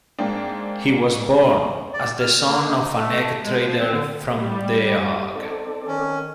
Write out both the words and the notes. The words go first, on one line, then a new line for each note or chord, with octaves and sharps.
He was born as the son of an egg trader from The Hague.
G#2 A#3 C4 D4
D5
F6
A#3
D#4
A3
G#3
F3
C4
D3
G3
C4 D#4 A4 D5
D#3 C#4